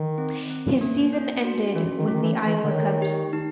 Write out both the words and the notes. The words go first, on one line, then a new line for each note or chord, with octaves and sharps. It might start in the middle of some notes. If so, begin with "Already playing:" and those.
His season ended with the Iowa Cubs.
Already playing: D#3
C4
C4
A#3
D4
F#4
E3 C#4
D#3
A3
D#3
E3
A3
E3
D3
D#3 C#5
G4
D#4